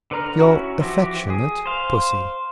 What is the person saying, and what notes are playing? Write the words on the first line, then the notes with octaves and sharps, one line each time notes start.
Your affectionate Pussy.
D3 B4 A#5 F6
C#4 E4 F#4
E3 F3 E4 F#4 G4
G#4
C5 F5